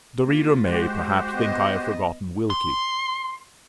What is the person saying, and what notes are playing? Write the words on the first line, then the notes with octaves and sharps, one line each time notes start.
The reader may, perhaps, think I have forgotten Wilkie.
A#3 F4
G#3 F#4 G4 C5
B3 D#5
C6